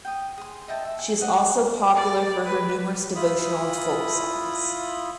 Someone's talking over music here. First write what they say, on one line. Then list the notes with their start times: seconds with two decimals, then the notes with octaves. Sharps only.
She is also popular for her numerous devotional and folk songs.
0.05 G5 D#6
0.38 G#4 C6
0.68 D#5 E5 G5 A5
0.85 E5
0.99 G#5
1.21 D#5 F#5
1.96 D5
2.46 B4
3.16 E4 F4 B5 D#6